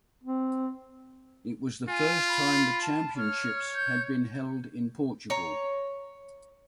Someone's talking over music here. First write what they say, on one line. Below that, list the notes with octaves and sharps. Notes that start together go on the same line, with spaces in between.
It was the first time the Championships had been held in Portugal.
C4
F4 G#5
B5
A5
C#5 F6
G6
C#5 A#5